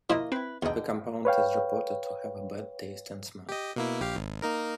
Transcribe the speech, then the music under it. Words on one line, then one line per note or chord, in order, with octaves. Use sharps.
The compound is reported to have a bad taste and smell.
F3 A#3 E4 F4 D#5
C4 E4 B4
E2 B2 D3 D#4 G5
B4 C#5 F5 G5
G4 D#5
B2 A#3 E4
A#1 G4 F5
G#1
A#3 D#4 A#4